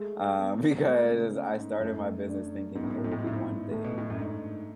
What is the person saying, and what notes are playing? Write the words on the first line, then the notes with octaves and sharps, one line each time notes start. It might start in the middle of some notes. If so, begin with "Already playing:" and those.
Um, because I started my business thinking it will be one thing.
Already playing: G#3 A3
B3
F#3
G#3 A3
C#3
C#4
G#2
F#2 A3
D4
G#2 B3
A2
G#2
A2
G#2
A2
G#2
A2 E4
G#2
A2 A3
B2
A2
F#2
G#2 D4